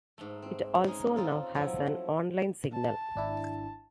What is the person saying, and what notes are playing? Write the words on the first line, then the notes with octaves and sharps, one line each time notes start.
It also now has an online signal.
G#2 A3
C4
G#3 C#4 D#4 G#4
C4 D#4 F4 A4
F3 F#3 A3 E4
A5
G#1 D4 E4